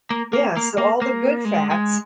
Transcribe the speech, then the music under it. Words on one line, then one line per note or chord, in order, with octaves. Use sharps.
Yeah. So, all the good fats
A#3
A#3
A#3
A#3
A#3
G#3
G#3